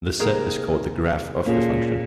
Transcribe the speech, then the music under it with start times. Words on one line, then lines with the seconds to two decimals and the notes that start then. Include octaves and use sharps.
The set is called the "graph" of the function.
0.20 C3 A#3 D#4 G#4 A#4 F6
1.46 A#2 A#3 C#4 F4 G#4 A4